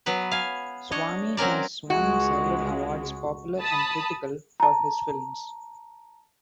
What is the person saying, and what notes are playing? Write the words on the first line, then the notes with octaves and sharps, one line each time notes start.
Swamy has won several awards, popular and critical, for his films.
F#3 B3 B4
F5 G#5
D4 C#5 D#5
F#3 C4 C#4 A#4 D5
C#2 G#3 F#4
A5 B5 D#6
A5 A#5